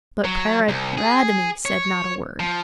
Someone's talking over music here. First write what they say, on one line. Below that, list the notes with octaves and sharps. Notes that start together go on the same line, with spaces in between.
But Paridamie said not a word.
F#3
C2
G#4
C#5
F3